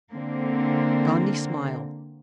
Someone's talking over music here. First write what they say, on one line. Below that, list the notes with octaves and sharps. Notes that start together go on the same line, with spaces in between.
Gondy smiled.
D3 A#3 C4